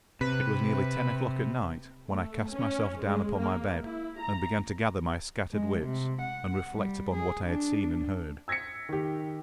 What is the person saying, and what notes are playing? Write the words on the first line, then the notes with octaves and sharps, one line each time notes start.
It was nearly ten o'clock at night when I cast myself down upon my bed, and began to gather my scattered wits, and reflect upon what I had seen and heard.
C3 B4
A3
C#4
G#3
A#3
E4
A#5
G#3
C3
F#5
G3
G#4
D4
E6 G#6 A#6 B6 C#7
D#3 G4